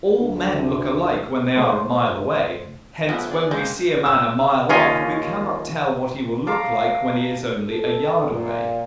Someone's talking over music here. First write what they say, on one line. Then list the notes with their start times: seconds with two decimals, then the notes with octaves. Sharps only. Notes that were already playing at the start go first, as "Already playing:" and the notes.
All men look alike when they are a mile away, hence when we see a man a mile off we cannot tell what he will look like when he is only a yard away.
0.17 D2
1.56 C#3 A3 C5 C6
3.09 F3 A3 B3 G#4 B4
3.30 G#4 D5
3.51 D#3 G#3 A#3 C5
4.06 E6
4.69 D#2 C#4 F4 D#5 G#5
6.47 F5 A5 A#5 D6
7.68 A4
8.29 A#2